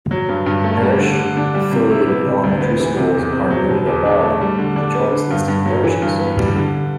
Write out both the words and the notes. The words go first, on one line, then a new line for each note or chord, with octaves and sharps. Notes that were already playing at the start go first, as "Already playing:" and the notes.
Parish-affiliated elementary schools are noted above in the charts listing parishes.
F#3
G2
G2
A3
G3
D3
D3
D4
G3
C3
E4
B3
C3
D2
B3
E3
C3
E2
C4
F#3
B2
E2
D4
A3
G3
D3
D4
B3
D3
G2
G2
F#3
E3
G2
B3
G3
D3